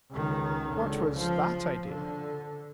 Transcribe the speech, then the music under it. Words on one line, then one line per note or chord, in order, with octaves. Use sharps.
"What was that idea?"
C#2 D#3
C#2 D3
F3
D3